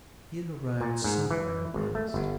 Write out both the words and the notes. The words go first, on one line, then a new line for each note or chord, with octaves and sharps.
He had arrived somewhere at last.
A#2
G#2
E3
G#1
A3
G1